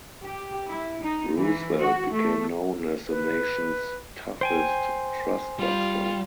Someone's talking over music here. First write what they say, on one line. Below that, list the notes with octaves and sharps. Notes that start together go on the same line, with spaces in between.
Roosevelt became known as the nation's toughest trust-buster.
G4
E4
D#4
E3
F#4
A3
B4
C5 G5 G#5
G3 F4